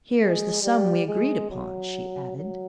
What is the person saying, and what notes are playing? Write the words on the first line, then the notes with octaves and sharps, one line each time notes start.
"Here is the sum we agreed upon," she added.
G#3
G3
G#3
F#3
F#3